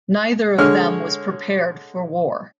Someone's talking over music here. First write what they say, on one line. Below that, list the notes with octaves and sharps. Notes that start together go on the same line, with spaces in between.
Neither of them was prepared for war.
D3 G#3 C#5 F6